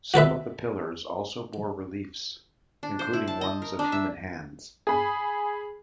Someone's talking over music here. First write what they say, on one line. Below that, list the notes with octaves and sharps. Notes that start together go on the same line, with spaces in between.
Some of the pillars also bore reliefs, including ones of human hands.
F#4 A4 B4 E5
D4
C5
E4
A5
D#5
A#4
D4
E5
G#4 B5